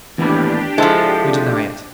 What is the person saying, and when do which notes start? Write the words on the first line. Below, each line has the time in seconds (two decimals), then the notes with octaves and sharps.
We deny it.
0.18 D#2 A2 E3 B3 D4 G4 B4
0.78 F3 G#3 E4 A4 C5 E5